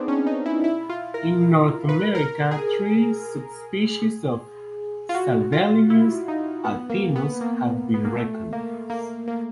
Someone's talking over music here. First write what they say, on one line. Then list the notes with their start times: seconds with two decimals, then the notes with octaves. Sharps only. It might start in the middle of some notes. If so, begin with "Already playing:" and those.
In North America, three subspecies of "Salvelinus alpinus" have been recognized.
Already playing: B3 C4 D4 D#4 G#4
0.08 C#4
0.26 D#4
0.46 E4
0.64 E4
0.89 F4
1.14 A#4
1.89 B4
2.15 A#4
2.51 G#4
5.09 F4
5.15 F#4
5.52 F4
5.90 E4
6.28 D#4
6.64 B3
6.90 A#3
7.16 B3
7.41 A#3
7.94 B3
8.05 A#3
8.16 A3
8.53 A#3
8.90 A#3
9.28 A#3